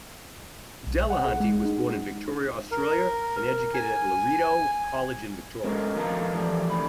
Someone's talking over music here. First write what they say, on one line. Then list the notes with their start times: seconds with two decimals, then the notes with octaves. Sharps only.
Delahunty was born in Victoria, Australia and educated at Loreto College, in Victoria.
0.87 B1
1.10 F#5
1.25 G#4
1.40 G#3
1.65 D#4
2.71 A#4
3.74 G#5
5.64 G#3 C#4 A4 A#4
5.96 D#3 F3 F4 A4 A#4 A#5
6.33 E3 F3 G3 A3 G#4
6.70 D3 B5